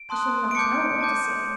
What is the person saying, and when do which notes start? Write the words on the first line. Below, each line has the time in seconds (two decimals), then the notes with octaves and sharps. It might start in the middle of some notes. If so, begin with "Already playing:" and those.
'I shall not know what to say.'
Already playing: D7
0.10 A5 C6 D#6 F#6
0.51 D7
0.55 A5 D6 G6 C#7
1.01 A5 D6 G6